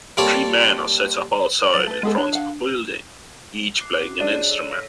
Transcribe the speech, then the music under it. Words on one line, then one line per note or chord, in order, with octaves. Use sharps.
Three men are set up outside in front of a building, each playing an instrument.
G3 A#3 C4 A4 C#5 D5
F#3 F4 A6
A3 B4
G#3 B3 G#4 A4
D4 C#5
F5 F#5
D6 F#6 C7
C4 C#4 F#4
D4 G#4 C#5 D#5
A4 C#5 E6
F5 A#6 B6